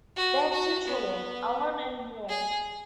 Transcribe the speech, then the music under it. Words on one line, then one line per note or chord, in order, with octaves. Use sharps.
They have two children, Alon and Yoav.
F#4
F#4
B3
G#4